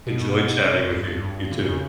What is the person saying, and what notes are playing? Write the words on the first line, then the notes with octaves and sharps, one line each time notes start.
Enjoy chatting with you. You too.
B2
C3
G2
G2
D3
C#3